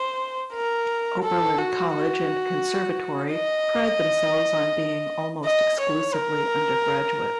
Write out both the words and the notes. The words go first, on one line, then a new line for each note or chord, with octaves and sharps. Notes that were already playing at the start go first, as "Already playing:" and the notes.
Oberlin College and Conservatory pride themselves on being almost exclusively undergraduate.
Already playing: C5
A#4
A4
F#4
F#4
D#5
D#5
C#5
A#4